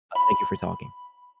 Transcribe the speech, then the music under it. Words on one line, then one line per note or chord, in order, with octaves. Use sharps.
uh, thank you for talking.
B5